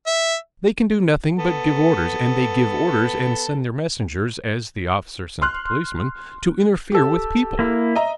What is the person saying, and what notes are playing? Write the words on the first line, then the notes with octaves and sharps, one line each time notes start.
They can do nothing but give orders, and they give orders and send their messengers, as the officer sent the policeman, to interfere with people.
E5
B3 A4
C6 F6 F#6
G4 A4
A#3 E4
D#5 E5 A#5